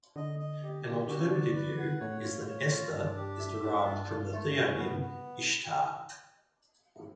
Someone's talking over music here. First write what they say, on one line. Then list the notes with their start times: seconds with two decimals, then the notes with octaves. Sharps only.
An alternative view is that "Esther" is derived from the theonym Ishtar.
0.16 D3 D#5
0.39 D#5
0.62 G4
0.85 G4
1.08 D3 F#4
1.19 C#3
1.28 D3 D5
1.54 B4
1.78 F#5
2.00 A2 C#5
2.23 F4
2.47 C#5
2.70 F4
2.92 G2 D4
3.16 G4
3.39 E5
3.62 D4
3.85 G2 F4
4.09 F4
4.32 A3
4.55 C#4
4.77 G2 B3
5.00 B3